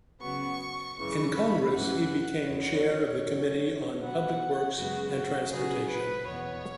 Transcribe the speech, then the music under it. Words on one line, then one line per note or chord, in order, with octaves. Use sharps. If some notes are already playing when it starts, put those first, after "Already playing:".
In Congress he became chair of the Committee on Public Works and Transportation.
C#3 F#3 B3 C#6
F#2 C#3 E3 C#6
B5
F#2 E3 C#4 F#5
E2 C#3 F#3 B3 C#5
F#2 F#3 C#4
B2 F#3 B3 F#5
F#2 C#3 G#3 B3 F#4
F#4
C#3 F#3 B3 G#4
B4
E2 B2 B3 C#5